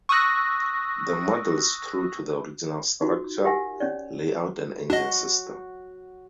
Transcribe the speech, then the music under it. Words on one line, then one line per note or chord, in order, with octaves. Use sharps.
The model is true to the original in structure, layout, and engine system.
C#6 D#6 E6 F#6 A#6
D#4 F4 F#4
G4 A#4 E5 F#5 G#5
C#4 C#5 D5
D4 F#4 D#5